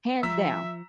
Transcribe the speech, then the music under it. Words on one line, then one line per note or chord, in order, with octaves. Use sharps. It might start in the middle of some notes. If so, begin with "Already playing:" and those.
hands down,
F3 E5 A#5 E6 B6